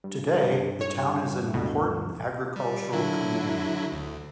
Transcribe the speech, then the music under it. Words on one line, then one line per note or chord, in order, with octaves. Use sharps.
Today, the town is an important agricultural community.
G2
C#5
D2 B2
G3
D3 F#3 E4
D2